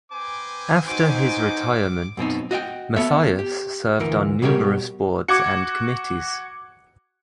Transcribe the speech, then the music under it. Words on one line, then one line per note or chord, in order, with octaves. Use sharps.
After his retirement, Mathias served on numerous boards and committees.
C4 B4 G#5 D6
D#4 F#4 C5 D6
F#2 B2 C4 D#4
F#4 D#5 F5 G5
B3 A4 C#5 E5
G4
D2 E3 A#4
B2 G3 G4 A#4 C#5
F#4 D6 G#6 C#7